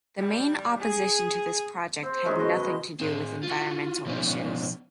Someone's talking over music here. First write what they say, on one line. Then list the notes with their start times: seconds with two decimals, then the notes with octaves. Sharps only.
The main opposition to this project had nothing to do with environmental issues.
0.19 G3
0.80 G#4
2.03 C4
2.25 F#2 D#3 G#3
2.39 B2 D#5
3.00 C4 G#4
3.43 F4 F#4
4.05 B2 F3 B3 C#4 D#4